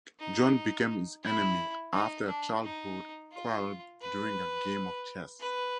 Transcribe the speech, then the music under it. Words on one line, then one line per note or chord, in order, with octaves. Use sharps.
John became his enemy after a childhood quarrel during a game of chess.
D#4
E4
D#4
D4
D#4
F4
B4
B4